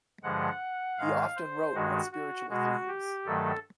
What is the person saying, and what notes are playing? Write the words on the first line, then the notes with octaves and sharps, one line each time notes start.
He often wrote on spiritual themes.
G2 D3 F3 G#3 F#5
G#2 D#3 G#3 F5
C5
G2 D#3 G#3 F#4
F#4
B2 G#3 F#4
G4
G2 D#3 F#3 A3 A4